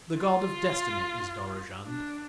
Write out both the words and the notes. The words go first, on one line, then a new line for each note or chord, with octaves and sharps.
The god of Destiny is Dorozhand.
F4
D4